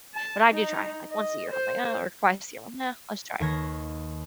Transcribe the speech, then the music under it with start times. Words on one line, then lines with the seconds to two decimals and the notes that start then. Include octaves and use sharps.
But I do try, like once a year, I'm like uh, or twice a year, I'm "Eh, let's try it."
0.14 A5
0.53 D#4
1.11 D#5
1.50 C5
3.40 D#2 D#3 B4 C#5 G#6 A#6